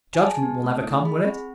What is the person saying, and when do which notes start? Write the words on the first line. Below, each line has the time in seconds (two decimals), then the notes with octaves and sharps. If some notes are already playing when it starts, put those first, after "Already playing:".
Judgment will never come, will it?
0.14 G#5
0.22 G#4 A5
0.43 B3
0.64 A3
0.84 E4
1.05 G#4 B5
1.26 C4